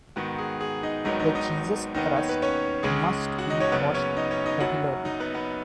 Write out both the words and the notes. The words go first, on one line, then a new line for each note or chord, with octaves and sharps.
The cheese's crust must be washed regularly.
G#2 D#3 B3 F#4
G#4
G#4
D#4 D#5
G#1 G#2 D#3 F#3 B3 D#4 D#5
D#4 D#5
D#4 D#5
D#2 D#3 B3 D#4 D#5
C#5
B4
C#4 C#5
C#2 C#3 G#3 C#4 G#4
F#4 F#5
D#4 D#5
C#4 C#5
F#1 F#2 C#3 B3 B4
C#4 C#5
D#4 D#5
C#4 C#5
D#4 D#5
F#1 F#2 F#3 F#4 F#5
D#4 D#5
B3 B4
B3 B4